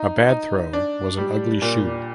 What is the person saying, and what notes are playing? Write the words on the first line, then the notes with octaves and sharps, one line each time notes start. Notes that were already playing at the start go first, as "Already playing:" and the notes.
A bad throw was an "Ugly Shoe".
Already playing: D#4
D#4
D4
G3
A#2